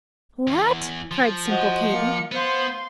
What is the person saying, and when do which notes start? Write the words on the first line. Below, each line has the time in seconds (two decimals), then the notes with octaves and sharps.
"What!" cried simple Katy.
0.48 E2
1.11 F3
1.48 F#4 C5 D#5
1.91 A#3 C#7
2.32 B3 C5 F5 C6